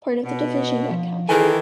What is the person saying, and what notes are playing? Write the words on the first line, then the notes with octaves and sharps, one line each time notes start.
Part of the division got captured.
B2
F3
D#3 E3 G#4 A4 G#5